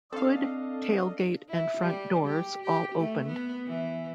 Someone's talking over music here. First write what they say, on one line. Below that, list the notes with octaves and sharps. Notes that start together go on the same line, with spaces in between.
Hood, tailgate, and front doors all opened.
C4 D4 A4 D#5 F5
E4
G3
G4
G4
A3
B3
E3